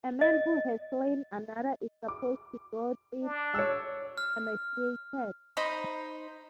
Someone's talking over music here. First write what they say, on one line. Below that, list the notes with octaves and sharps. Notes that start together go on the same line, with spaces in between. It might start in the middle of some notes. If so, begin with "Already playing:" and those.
A man who has slain another is supposed to grow thin and emaciated.
D#5
D6
D4
C#5 E6
F6
D#4 C5 B5